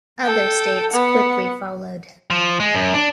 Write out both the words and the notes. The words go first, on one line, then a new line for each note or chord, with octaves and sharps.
Other states quickly followed.
A4 G5
B3 F#5
F3
G#3
F#2
D4